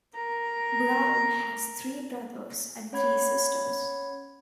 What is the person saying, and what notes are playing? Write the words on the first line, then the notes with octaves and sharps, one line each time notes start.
Brown has three brothers and three sisters.
A#4 A#5
C#4 C#5 F#5 B5 G#6